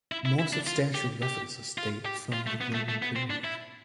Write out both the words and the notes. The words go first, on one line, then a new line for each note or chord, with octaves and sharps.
More substantial references date from the Roman period.
E4
E4
E4
D4
F4
G4
G4
F4
G4
F4
A3
B3
A3
A3
B3
C4
D4
E4